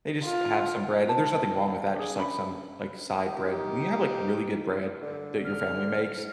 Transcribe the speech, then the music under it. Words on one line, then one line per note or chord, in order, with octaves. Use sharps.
they just have some bread and there's nothing wrong with that, just like some, like, side bread but when you have, like, really good bread that your family makes,
F4
E4 A5
D4 G#4
C#4 D4 E5 B5
D#4 G4
D3
F6